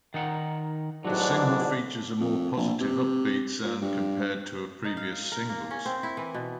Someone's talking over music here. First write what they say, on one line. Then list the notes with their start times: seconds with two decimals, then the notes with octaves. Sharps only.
The single features a more positive upbeat sound compared to her previous singles.
0.14 D#3 D#4 F#5
1.05 A1 G#2 F#3 D4 F#4
2.20 F2
2.57 A#1
2.80 C3
3.64 A#2
3.82 G2
4.85 D#4
4.97 F5
5.32 A#4
5.49 A#3
5.71 C#4
5.86 C4
6.03 E4
6.17 E3
6.34 B2